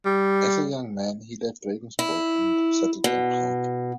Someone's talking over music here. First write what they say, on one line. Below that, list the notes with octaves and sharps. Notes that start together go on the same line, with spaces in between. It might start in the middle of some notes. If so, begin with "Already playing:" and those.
As a young man he left Regensburg and settled in Prague.
G3
E4
B2